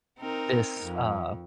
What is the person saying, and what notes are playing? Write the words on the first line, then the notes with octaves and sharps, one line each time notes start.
This, uh,
C4 D#4 A#4
F2